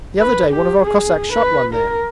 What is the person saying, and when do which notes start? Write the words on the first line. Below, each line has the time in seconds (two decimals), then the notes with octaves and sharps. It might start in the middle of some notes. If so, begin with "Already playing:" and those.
The other day one of our Cossacks shot one there.
0.20 B4
0.50 G4
0.83 G#4
1.33 B4
1.74 A#4